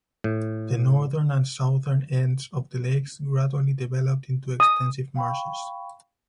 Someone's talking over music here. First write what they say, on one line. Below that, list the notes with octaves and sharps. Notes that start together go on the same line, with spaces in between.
The northern and southern ends of the lakes gradually developed into extensive marshes.
A2
D#6
F5 G5 B5 C#6